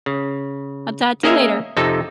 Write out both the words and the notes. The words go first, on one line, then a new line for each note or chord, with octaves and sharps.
I'll talk to you later.
C#3
A#3 C#4 G#4 A#4 D#5 E5
F2 C3 D#4 A4